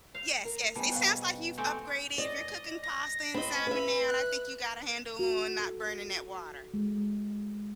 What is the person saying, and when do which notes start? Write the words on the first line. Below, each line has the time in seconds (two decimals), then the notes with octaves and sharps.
Yes, yes. It sounds like you've upgraded, if you're cooking pasta and salmon now, I think you got a handle on not burning that water.
0.15 C#5 F5
0.45 A#4
0.75 G3 B3 D#4 G#4 A5
0.92 B2 C5 F5
1.58 A3 C4 G4 G#5
2.18 D5 D#5
2.83 A#6
3.34 C4 D#5 B5
3.67 B4 E5
4.08 F#6
5.19 F#4
5.60 A4
6.74 G#3